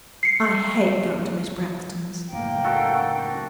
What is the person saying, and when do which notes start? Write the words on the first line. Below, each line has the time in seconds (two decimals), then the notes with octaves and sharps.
"I hate going to Miss Braxton's."
0.23 C7 C#7
2.32 C#2 F#2 A2 A#3 G5
2.64 D#3 F#4 A4